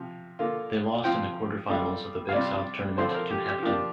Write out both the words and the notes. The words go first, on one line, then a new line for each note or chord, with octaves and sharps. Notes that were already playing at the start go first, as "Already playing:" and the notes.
They lost in the quarterfinals of the Big South Tournament to Hampton.
Already playing: C3 F3
D3 A#3 F4
F3 C4 F4 G5
D3 G3 C4 F4
F5
C3 G3 C4 F4 D5
D3 F3 C4 F4 C5
C5
A#4
G4
G4
F3 A#3 D4 F4 G4